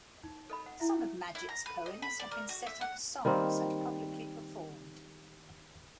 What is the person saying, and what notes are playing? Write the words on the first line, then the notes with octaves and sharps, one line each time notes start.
Some of Madgett's poems have been set up as songs and publicly performed.
D#4
A4 D#5 B5
F#5
E4 E5
E4
A#5
B4
D#5
B5
D5
A#4
F#4
E5
F#5
D#3 G3 A#3 C4